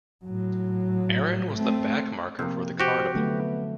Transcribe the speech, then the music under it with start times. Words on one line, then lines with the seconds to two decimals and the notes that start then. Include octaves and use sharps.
Aaron was the backmarker for the carnival.
0.25 A2 F#3
1.53 A3 C4
2.39 F2 C3 A#3
2.80 F#4 G4 C5
3.15 D3 F#3 A3 B3